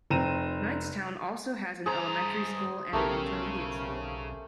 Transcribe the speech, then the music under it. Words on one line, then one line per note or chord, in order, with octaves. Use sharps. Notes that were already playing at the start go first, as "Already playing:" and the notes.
Knightstown also has an elementary school and an intermediate school.
F1 C4 A#5 D#7 E7
G2 G#4 C5 A#5
B1 C#3 A3 C#4 G4 A#4